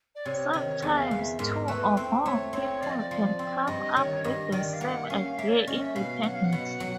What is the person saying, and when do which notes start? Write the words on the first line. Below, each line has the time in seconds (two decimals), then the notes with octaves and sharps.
Sometimes, two or more people can come up with the same idea independently.
0.15 D5
0.26 C3 C#5
0.53 D#3 C#5
0.82 E2 D5
0.96 E5
1.02 F5
1.11 E2
1.20 E5
1.39 G#2 A#4
1.68 A3 B4
1.97 C4
2.25 A3 C#5
2.53 C4 C#5
2.81 F3 D5
2.90 D#5
2.98 D5
3.11 F3 D5
3.39 C4
3.67 G2 D#5
3.96 D#3 C#5
4.24 G2 D#5
4.52 D#3 D5
4.73 F5
4.81 A#3 F#5
5.05 E5
5.10 C#4 F5
5.38 A#3 E5
5.48 C#5
5.53 D5
5.67 C#4 D#5
5.81 E5
5.95 B2 F5
6.23 F#3 F#5
6.34 F5
6.44 F#5
6.52 B2
6.80 F#3